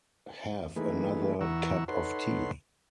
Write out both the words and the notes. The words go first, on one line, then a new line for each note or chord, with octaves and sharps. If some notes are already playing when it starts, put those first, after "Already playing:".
Have another cup of tea!
E3 A3 A#3 D#4 G#4 B4
E2 E3 F#5 A#5 C#6 E6
D#4 A4 B4 C#5 F#5 C6